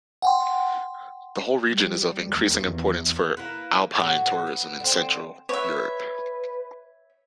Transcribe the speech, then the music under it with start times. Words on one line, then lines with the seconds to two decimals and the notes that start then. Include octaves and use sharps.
The whole region is of increasing importance for alpine tourism in Central Europe.
0.22 F#5 G5 C6
1.70 G3
2.31 D#2
2.67 E2
3.37 A#3 E4 B4
3.97 A2 F#4
4.47 B3
4.80 D3 C4
5.49 B4 C#5 E5